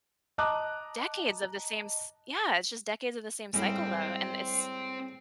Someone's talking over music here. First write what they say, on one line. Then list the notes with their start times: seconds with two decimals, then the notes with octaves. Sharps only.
decades of the same s yeah, it's just decades of the same cycle, though, and it's
0.38 D#5 A5 A#5 D6 D#6 F#6
3.54 A2 G3 G#3 C4